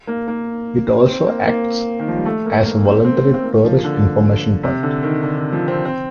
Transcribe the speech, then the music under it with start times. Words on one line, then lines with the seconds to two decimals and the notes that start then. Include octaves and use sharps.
It also acts as a voluntary tourist information point.
0.07 A#3
0.28 A#3
1.06 C4
1.27 A#3
1.46 A#3
1.99 D#3
2.08 F3
2.17 G3
2.25 A3
2.46 A#3
2.65 A#3
2.85 C4
3.05 C4
3.34 C4
3.44 A#3
3.64 F3
3.84 D3
4.63 C3
4.83 D3
5.03 D#3
5.23 D3
5.37 D#3
5.52 F3
5.68 C4
5.85 C4